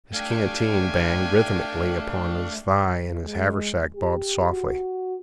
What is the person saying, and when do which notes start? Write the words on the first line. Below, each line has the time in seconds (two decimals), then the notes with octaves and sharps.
His canteen banged rythmically upon his thigh, and his haversack bobbed softly.
0.13 A3 D4 G4 F5 G5 G#5
3.26 G#3
3.96 G4
4.50 F#4